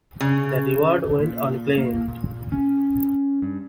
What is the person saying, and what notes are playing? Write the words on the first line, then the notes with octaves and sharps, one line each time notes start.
The reward went unclaimed.
C#3
A#2
A#3
A#2
C#4
G2